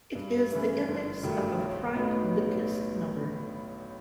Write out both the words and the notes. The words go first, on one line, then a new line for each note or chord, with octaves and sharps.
It is the index of a prime Lucas number.
G2
E3 A3 C#4 E4
G1
G2 D#3 F#3 A3
B1
A2 F#3 B3 D#4